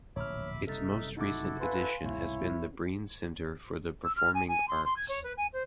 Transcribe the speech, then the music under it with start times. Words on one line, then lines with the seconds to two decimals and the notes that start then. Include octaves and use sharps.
Its most recent addition has been the Breen Center for the Performing Arts.
0.16 D1 A#1 B2 C#5 E5 B5 D6 F6
0.67 F#1 C3 G3 D#4 A4 E5 F6 A6
1.17 D#4 E4 F#4 A4 D6
1.61 B4 F5 G#5 C6
2.04 C2 G#2 B2 E4 C#5
4.04 E6
4.16 F6
4.34 G#5
4.48 G#5
4.68 C6
4.84 C6
4.96 G#6
5.08 C#5
5.24 B4
5.37 G#5
5.53 C5